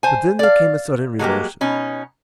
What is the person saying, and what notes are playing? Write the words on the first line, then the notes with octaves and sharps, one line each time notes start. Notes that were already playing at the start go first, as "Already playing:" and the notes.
But then there came a sudden revulsion.
C5 G#5
D5 F5
F#3 G#3 A#3 G4
B2 C#4 D#4